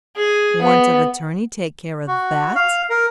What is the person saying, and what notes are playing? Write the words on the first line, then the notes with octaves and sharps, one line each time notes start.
Warrant of attorney--take care of that.
G#4
B3
F#4
F5
A#4